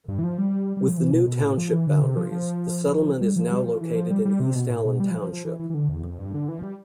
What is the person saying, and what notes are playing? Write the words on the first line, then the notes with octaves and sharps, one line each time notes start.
With the new township boundaries, the settlement is now located in East Allen Twp.
G2
E3
F3
G3
G3
F3
E3
B2
B2
A2
F3
E3
D3
C3
F3
F3
G3
F3
G3
F3
E3
F3
G3
G3
C3
B2
A2
B2
G3
F3
F3
F3
E3
E3
E3
D3
E2
F2
G2
D3
E3
F3
G3